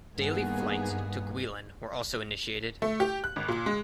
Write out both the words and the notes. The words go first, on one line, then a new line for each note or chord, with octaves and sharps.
Daily flights to Guilin were also initiated.
G2 D#3 A#3 B3 G#4
A3
G4
F#6
G#1
A#2
G#3